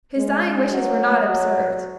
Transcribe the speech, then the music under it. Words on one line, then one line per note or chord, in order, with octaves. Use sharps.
His dying wishes were not observed.
G#3
F#3
F#3